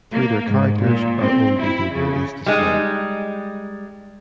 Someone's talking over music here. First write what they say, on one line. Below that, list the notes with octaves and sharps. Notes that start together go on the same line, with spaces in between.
Through their characters, our own behaviour is displayed.
A#3
G#2
A#2
C4
E4
C#3
G3 G#3 D#4